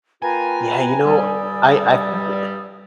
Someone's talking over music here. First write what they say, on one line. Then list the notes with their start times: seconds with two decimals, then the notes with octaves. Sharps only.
Yeah, you know, I I think that, uh
0.22 A#3 F4 B4 G5 G#5 A#5
1.05 G2 G3 D5 D#6 E6